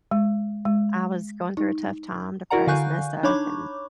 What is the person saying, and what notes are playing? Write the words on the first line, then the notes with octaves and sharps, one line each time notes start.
I was going through a tough time, depressed, messed up, and
G#3
G#3
D#4
E4 F#4 A#4 D5 F#5 A#5
D3 F5 G#5 C#6 F#6 G6
D4 D#4 C#5 B5 C#6 D6